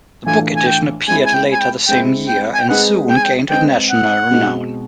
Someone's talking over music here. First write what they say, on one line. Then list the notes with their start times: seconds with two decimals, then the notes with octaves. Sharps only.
The book edition appeared later the same year, and soon gained international renown.
0.26 A2 E3 A3 D4 F4 G#5
0.56 G#5
0.67 G5
1.08 G#3 C4 E4 G#5
1.26 G#5
1.34 G5
1.52 G#5
1.62 G5
1.88 G#3 C4 E4 G5
2.28 G5
2.54 G#5
2.61 G5
2.69 G#3 C4 D#4 G#4 B4 F#5
3.10 G5
3.17 G#5
3.25 G5
3.50 G#3 C4 D#4 G#4 B4 G5
3.90 F#5
4.31 B2 G#3 C4 D#4 F#4